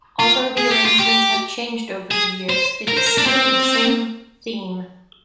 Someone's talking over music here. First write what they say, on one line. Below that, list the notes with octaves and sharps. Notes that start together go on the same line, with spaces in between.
Although the arrangements have changed over the years, it is still the same theme.
F4
G#4
G4
F4
G4
G#4
C5
A#4
C5
A#4
D4
C4